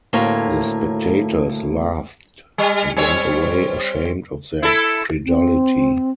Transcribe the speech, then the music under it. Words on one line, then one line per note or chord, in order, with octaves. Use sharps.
The spectators laughed, and went away ashamed of their credulity.
D2 A2 A#3 C#5
G3
G3 C4 C#5
E4 A4
C4